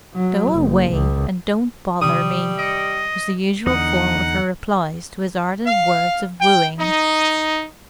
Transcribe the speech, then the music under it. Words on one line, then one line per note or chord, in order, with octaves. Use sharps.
"Go away and don't bother me," was the usual form of her replies to his ardent words of wooing.
F#3
F#1
C#2
C3 D#3 E3 G3 D#6
D#5 C#7 D7
E2 D3 D#4 F#5 D#6
F5
G5
D#4